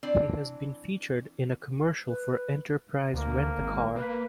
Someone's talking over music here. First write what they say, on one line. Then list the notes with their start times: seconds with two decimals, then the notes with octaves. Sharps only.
He has been featured in a commercial for Enterprise Rent-A-Car.
0.03 E3 C4 D4 D5
2.07 B4
3.13 D2 A#3
3.58 G#1
3.95 A#3 B4